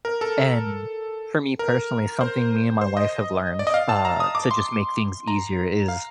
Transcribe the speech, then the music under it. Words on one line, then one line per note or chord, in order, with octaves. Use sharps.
and for me personally, something me and my wife have learned, uh, to just make things easier is
A#4
A4
A#4
C5
C5
D#5
D5
D#5
F5
A5
A#5
D#6
D6
C6
A#5
F5